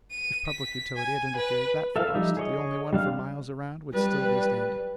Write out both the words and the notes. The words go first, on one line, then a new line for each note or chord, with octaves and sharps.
If public utility had interfered, that forest--the only one for miles around--would still be standing.
D#7
B6
G#5
B4
A4 E5 F5
F3 G3 D#4 E5
G#4 C#5 D#5
G3 D4 F5 F6
G3 B4